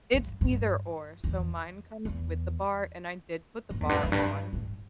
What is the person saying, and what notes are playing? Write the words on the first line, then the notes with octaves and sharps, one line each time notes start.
It's either-or, so mine comes with the bar, and I did put the bar on
G2
G2
E2
E2
G2
E2
G2
E2
G2
G2